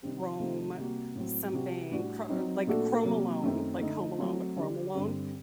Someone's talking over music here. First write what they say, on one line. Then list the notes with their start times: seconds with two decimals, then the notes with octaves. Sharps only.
Chrome, something chr like Chrome Alone, like Home Alone, but Chrome Alone
0.02 C3 D#3 G3 C4 G4
0.40 C3 D#3 A3
0.78 C3 G3 A#3 F#4
1.15 A2 F#3 C4
1.53 C3 G3 C4 F#4
1.91 A2 G3 D4 F#4
2.29 F#3 C4 D#4
2.67 A#2 A3 D4 F#4 A4
3.05 C3 F#3 A#3
3.43 F#2 D#3 A3 C4
3.80 D3 A3 D#4
4.18 F#3 A3 C4
4.56 D3 G3 D4 G4
4.94 G2 D3 G3 C4 G4